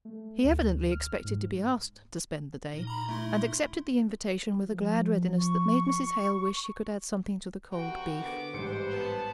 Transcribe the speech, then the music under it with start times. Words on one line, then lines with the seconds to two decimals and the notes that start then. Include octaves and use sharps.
He evidently expected to be asked to spend the day, and accepted the invitation with a glad readiness that made Mrs. Hale wish she could add something to the cold beef.
0.05 A3
0.44 D2
0.92 F6
1.24 G#2
2.74 A#2 D#4
2.87 A#5 B5
3.09 A3 E4 C6
4.65 F3
5.39 C#6
7.71 C2 E3 F#4 G5
8.19 D3 B3 D6
8.54 A1 G#2 G3 B4 C5 C#7
8.88 B3 A5